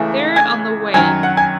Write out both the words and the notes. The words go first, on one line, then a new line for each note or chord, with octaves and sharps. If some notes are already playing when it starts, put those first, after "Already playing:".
They’re on the way.
Already playing: C#2 C#3 E3 A3
G#5 G#6
F#2 D#3 F#3 G#5 G#6
F#5 F#6
G#5 G#6